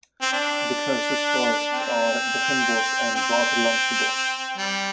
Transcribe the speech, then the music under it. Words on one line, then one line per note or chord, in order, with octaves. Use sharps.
The closest forests are Beginbos and Waterlandsebos.
C4
D4
C4
C4
G3